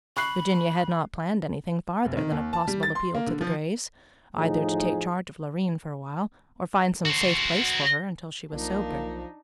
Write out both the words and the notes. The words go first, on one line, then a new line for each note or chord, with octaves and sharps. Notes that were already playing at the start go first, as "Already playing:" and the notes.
Virginia had not planned anything farther than a possible appeal to the Grays, either to take charge of Loreen for a while or find some safe place for her until she was sober.
B5 C#6 F#6 C7
F1
D#3
D#2
A5
G3
A6
C6
A#3
D3
F3
A2 F3 D#4 G#4
F#4 C5
B1 F3 A#3 D4 D#4